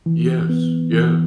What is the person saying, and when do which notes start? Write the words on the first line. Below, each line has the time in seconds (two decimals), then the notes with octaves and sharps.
Yes. Yeah.
0.06 E3
0.49 B3
0.93 E3